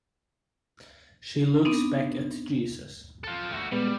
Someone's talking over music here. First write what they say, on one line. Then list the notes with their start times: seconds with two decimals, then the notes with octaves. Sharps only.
She looks back at Jesus.
1.65 B3 C4 D4 D#4
3.24 F4 A4
3.52 A3 F#4
3.72 A#2 G3 G#3 B3